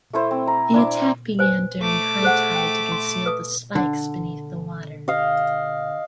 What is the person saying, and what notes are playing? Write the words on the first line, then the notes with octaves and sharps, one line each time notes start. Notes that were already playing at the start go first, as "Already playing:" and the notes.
The attack began during high tide to conceal the spikes beneath the water.
A3 E4 C5
C4
A#5
D4 E4 D6
B4 C5 G#5
A3 D6
G#4 C5 F#5
G5
C6
B4 D#6
D3
D#5 F5